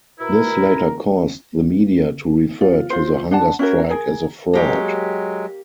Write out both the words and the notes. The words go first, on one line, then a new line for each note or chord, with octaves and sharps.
This later caused the media to refer to the hunger strike as a fraud.
B2 E4 A#4
F4
F4 C5
D4 F#5 A5
C#4 E4 F#4 A#4
G#4 A#4
F#3 G#3 A#3 G4 C#5